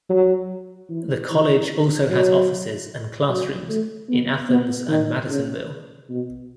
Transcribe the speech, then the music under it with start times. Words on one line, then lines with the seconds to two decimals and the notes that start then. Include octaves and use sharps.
The college also has offices and classrooms in Athens and Madisonville.
0.09 F#3
0.90 E3
1.30 E3
2.10 F#3
3.29 F#3
3.69 A3
4.09 B3
4.49 B3
4.89 D#3
5.29 C#3
6.09 B2